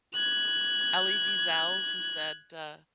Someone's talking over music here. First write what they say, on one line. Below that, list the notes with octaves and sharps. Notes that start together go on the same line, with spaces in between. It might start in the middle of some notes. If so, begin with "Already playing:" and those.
Elie Wiesel who said, uh,
F#6 G#6